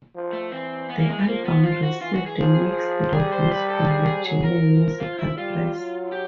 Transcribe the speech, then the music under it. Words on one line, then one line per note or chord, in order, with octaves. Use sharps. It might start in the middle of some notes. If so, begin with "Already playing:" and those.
The album received mixed reviews from the German musical press.
F3
A3
E3 C4
B3
A#3
G#3
A3
F3 A#3
B3
F4
F#4
E3 F4
F#4
G#4
F3
G3 G#4
C5
B4
A4
G#4
G#4
F#3 G#4
A#4
F3
F4
E4
G3 F4
F#3
G4